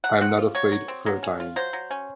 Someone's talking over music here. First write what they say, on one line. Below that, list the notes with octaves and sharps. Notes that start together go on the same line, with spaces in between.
I am not afraid of her dying.
F#3 F#5
C4 F#5
F4
F#3 C#5
F#3
C4
F#3
C#4
F4
F#3 C5
F#3
C#4